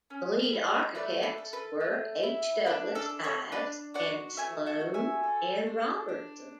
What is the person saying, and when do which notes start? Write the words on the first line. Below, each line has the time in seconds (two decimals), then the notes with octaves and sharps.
The lead architects were H. Douglas Ives and Sloan and Robertson.
0.10 C#4
0.53 E4
0.95 A3 B4 D5
1.23 B4 D5
1.38 A4
1.53 B4
1.80 A3
2.23 E4
2.66 D4 B4
2.95 A4
3.09 A4
3.24 A4 C#5
3.52 D4 B4 D5
3.94 F#4 D5 F#5
4.37 A3 E5 G#5
4.66 F#5 A5
4.80 F#4
4.94 E5 G#5
5.23 A4
5.67 D4
6.09 D4